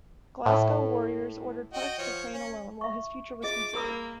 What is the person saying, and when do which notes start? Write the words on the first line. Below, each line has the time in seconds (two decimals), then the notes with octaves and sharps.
Glasgow Warriors ordered Parks to train alone while his future was considered.
0.46 A2
1.73 F#4 D#5 G5
1.98 F3 C#5
2.33 C#4
2.81 E5 C#6
3.43 F4 G#4 D#5 D6
3.76 A#3 A#4 B5 D#6